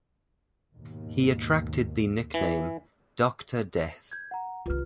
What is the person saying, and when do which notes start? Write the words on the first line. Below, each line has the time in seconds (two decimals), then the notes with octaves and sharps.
He attracted the nickname "Doctor Death".
0.75 D#2 G#2 B2
2.34 E3
4.12 G6 G#6
4.31 F#5 A#5
4.66 C2 D#3 F4 B4 F6